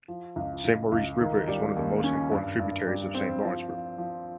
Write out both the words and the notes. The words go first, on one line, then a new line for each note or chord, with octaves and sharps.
Saint-Maurice river is one of the most important tributaries of Saint Lawrence river.
F3
C#2
C#2
C#2
D#3
G3
D#2
C#4
G2
G2
G3
C4
F3
F3
F3